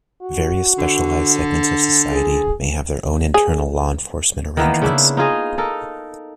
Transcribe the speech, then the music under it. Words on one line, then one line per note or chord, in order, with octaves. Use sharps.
Various specialized segments of society may have their own internal law enforcement arrangements.
F#4
D3
G#4
G#4
D#3 E3 A#3 B3
C#3 D4 E4
D#4 F4 G#4 D#5
D#4 A4 A#4